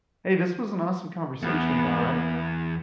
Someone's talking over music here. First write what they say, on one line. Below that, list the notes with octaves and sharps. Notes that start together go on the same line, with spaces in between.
Hey, this was an awesome conversation, Dodd.
E2 B3